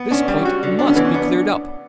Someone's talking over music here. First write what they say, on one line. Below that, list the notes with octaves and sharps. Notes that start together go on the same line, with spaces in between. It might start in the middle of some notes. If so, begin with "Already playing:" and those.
This point must be cleared up.
Already playing: B3
C#4 D4
G3
F#4
D3
B3 D4
C#4
E3 B3
C#4
B3 D4